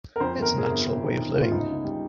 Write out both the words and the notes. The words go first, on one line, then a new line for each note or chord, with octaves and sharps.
It's a natural way of living.
A#4
F2 C5
G1
A#4
G1 G#4
A#4
G1
G1
D#3
D#3
G1
F4
C#2 D#4
C#2
G3